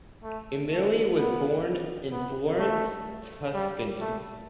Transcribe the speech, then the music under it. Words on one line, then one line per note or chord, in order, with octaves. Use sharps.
Umiliani was born in Florence, Tuscany.
A3
A3
B3
B3
A3
G3
A3